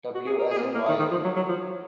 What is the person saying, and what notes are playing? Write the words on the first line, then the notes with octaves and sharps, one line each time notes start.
W as in wire.
F#4
G#4
A#4
G#4
A#3
C4
A#3
D#3
D#3
F3
F#3
F#3
F3